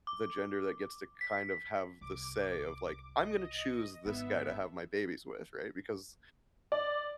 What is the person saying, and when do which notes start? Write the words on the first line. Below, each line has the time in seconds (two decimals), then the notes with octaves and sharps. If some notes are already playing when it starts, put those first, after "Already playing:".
the gender that gets to kind of have the say of, like, "I'm gonna choose this guy to have my babies with," right? Because,
0.07 D6
1.21 B6
2.01 C2 D6
3.23 D#5
4.05 G#1 B3 E5
6.72 D5